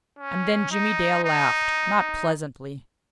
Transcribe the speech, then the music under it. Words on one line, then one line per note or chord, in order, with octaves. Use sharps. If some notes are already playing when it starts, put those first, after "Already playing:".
And then Jimmie Dale laughed--not pleasantly.
C#4
D#4
D#4